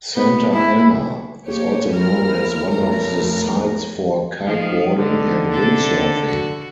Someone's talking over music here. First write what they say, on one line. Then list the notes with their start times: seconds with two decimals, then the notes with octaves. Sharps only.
Santa Ana is also known as one of the sites for Kiteboarding and Windsurfing.
0.15 B3
0.53 E4
1.46 A#3 G4 C#5
1.90 A#1 F#3 A#4 F6
2.70 B1 F2 A3 A#4 A#5
4.45 D#3 F3
4.97 D3 D#3
5.51 C3 D4 A4
6.26 F#4